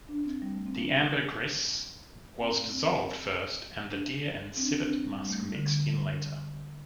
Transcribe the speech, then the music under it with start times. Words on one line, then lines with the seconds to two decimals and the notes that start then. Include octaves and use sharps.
The ambergris was dissolved first and the deer and civet musk mixed in later.
0.09 D4
0.26 C4
0.42 G3
0.55 A3
0.67 C4
0.80 D4
2.40 C4
2.52 C4
2.56 A3
2.73 C4
3.89 D4
4.57 C4
4.63 D4
4.79 D4
4.88 C4
5.04 G3
5.21 G3
5.30 A3
5.38 G3
5.55 D3
5.87 G3